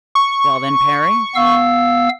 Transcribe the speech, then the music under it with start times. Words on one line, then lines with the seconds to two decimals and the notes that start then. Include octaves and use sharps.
"Well--then, Parry."
0.15 C#6
1.35 B3 F5 E6